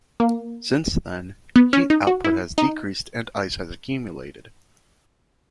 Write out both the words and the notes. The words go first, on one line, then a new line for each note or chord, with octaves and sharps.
Since then heat output has decreased and ice has accumulated.
A#3
B3
C#4
D#4
F#4
E4
D#4